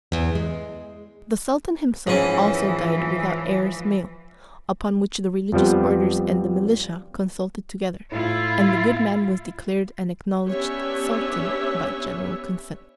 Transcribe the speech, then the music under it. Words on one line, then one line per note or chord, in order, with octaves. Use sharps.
The sultan himself also died without heirs male; upon which the religious orders and the militia consulted together, and the good man was declared and acknowledged sultan by general consent.
E2
G#3
G#2 E3 F3 C#4
F2 F3 G3 B3
A2 E4 F4 F5
B3 C#4 D4 G4 C#5 E5